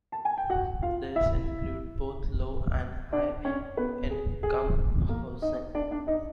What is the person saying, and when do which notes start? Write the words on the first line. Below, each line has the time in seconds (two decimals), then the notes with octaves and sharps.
These include both low and high income housing.
0.12 A5
0.25 G#5
0.37 G5
0.50 F#4 F#5
0.83 F4 F5
1.15 E4 E5
3.12 D4 D5
3.45 C#4 C#5
3.77 B3 B4
4.10 G#4
4.43 G#4
5.09 A#3 A#4
5.42 D#4 D#5
5.75 D4 D5
5.91 D4 D5
6.07 D#4 D#5